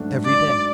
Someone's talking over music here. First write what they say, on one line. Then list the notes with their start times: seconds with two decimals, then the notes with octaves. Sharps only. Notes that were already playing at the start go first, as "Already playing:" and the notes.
'Every day.
Already playing: G#2 F#3 A3 D4 F#4
0.25 D5